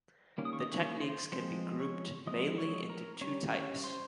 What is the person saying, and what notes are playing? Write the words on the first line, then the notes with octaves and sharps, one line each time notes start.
The techniques can be grouped mainly into two types.
D#3 G3 A#3 C#4
D#6
C#6
D#5 D#6
C#5 C#6
C5 C6
F3 G#3 C4 C5 C6
C#5 C#6
F3 G#3 C4 D#5 D#6
C#5 C#6
A#4 A#5
G3 C#4 C#5 C#6
C#5 C#6
C5 C6